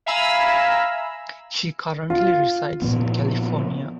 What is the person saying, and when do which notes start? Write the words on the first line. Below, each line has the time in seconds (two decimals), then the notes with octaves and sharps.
She currently resides in California.
0.06 E5 F5 G#5 A#5 B5 E6
2.10 F4
2.82 A#2 F3 B3